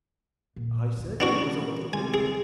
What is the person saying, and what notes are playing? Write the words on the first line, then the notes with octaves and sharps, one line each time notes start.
"I said that he was a welter weight."
A#2
D2 D3
C2 E3 B3 C#4 D4 F#4
C3 G3 G#3 G#5
E3 G#4